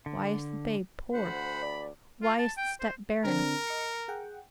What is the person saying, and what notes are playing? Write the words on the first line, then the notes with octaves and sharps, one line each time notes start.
Why is the babe poor? Why is the steppe barren?
D3
D2 C5 F#5 B5
D5
F4
A5
G5
C5
D3 C4 D4 A#4
D#5 C#7
G#4 F#5 G5